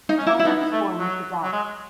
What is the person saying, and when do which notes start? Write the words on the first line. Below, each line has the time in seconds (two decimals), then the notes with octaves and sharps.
Tanga was born in Kigali.
0.09 D#4
0.17 C#4
0.27 E4
0.40 E4
0.45 B3 D#4
0.72 A3
0.99 F#3
1.43 F#3
1.52 G#3